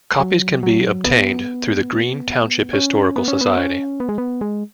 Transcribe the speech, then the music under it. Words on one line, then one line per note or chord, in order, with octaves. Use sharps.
Copies can be obtained through the Green Township Historical Society.
F#3
F#3
B3
C#4
B3
C#4
B3
C#4
B3
G#3
B3
G#3